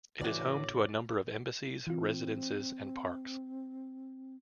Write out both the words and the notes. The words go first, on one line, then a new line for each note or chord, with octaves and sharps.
It is home to a number of embassies, residences and parks.
A2 C#3 E3 F#4 D5
E3 C4 F4